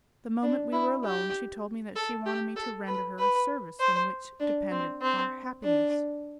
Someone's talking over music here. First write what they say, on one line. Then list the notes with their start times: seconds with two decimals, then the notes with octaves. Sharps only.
The moment we were alone she told me that she wanted me to render her a service from which depended our happiness.
0.42 D4
0.72 E4
1.04 G4
1.96 A4
2.26 G4
2.56 A4
2.87 B4
3.18 B4
3.79 C5
4.40 D4
4.71 C4
5.02 C4
5.63 D4